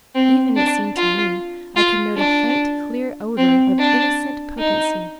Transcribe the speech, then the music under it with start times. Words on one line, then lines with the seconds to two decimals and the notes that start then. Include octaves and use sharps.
Even, it seemed to me, I could note a faint, clear odor of innocent potency.
0.15 C4
0.56 D4
0.96 F4
1.76 F4
2.17 D4
3.38 C4
3.78 D4
4.58 D#4